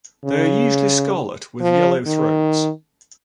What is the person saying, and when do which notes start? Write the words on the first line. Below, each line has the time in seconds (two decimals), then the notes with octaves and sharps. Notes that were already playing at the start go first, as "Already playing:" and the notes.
They are usually scarlet with yellow throats.
0.25 C#3
1.61 F3
2.06 D#3